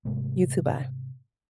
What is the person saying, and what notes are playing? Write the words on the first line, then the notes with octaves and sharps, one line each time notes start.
You too, bye.
G#2 C3 G#3 A3